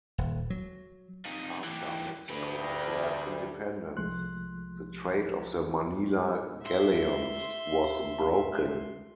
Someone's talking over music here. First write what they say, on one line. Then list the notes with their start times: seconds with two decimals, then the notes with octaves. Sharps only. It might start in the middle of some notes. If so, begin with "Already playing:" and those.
After Mexico declared independence, the trade of the Manila Galleons was broken.
0.18 D#1
0.50 F#3
1.25 F2 D#4
1.64 E3 G4
2.29 D2 G4 B4
3.97 C2 F3 G#3 A3 C6 F#6
6.62 E5 C6